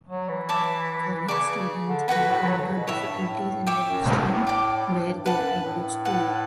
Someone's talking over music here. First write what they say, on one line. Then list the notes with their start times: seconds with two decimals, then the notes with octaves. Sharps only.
College students encountered difficulties in registering where they attended school.
0.09 F#3
0.29 E3
0.49 C#5 E5 A5 D6
1.28 C#3 D5 A5 C#6
1.88 D3
2.08 E3 F#4 B4 F#5 B5
2.18 D3
2.28 A2
2.38 C#3
2.43 E3
2.47 F#3
2.58 D3
2.68 C#3
2.78 B2
2.87 A2 C#5 E5 B5
3.00 A2
3.07 G2
3.27 A2
3.67 C#5 E5 G5 D6
3.87 F#2
4.07 G2
4.26 A2
4.47 D5 G5 D6
4.86 A2
5.06 G2
5.26 G2 B4 F#5 A5
5.39 F#2
5.52 G2
5.66 A2
6.05 B4 F#5 A5